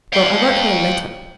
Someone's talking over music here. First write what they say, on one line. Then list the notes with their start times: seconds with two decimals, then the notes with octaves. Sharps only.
Well, I wrote her a letter.
0.13 F5 G5